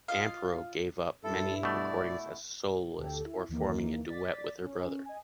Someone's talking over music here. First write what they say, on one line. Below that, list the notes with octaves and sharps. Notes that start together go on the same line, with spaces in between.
Amparo gave up many recordings as a soloist or forming a duet with her brother.
F4 D#5 F5
G2 E4 A4
B2 A3 D5
D2 G4 A4
E4
D#2 D#3 E3 A#3
D5 A6 B6
C#4
D#5 G#5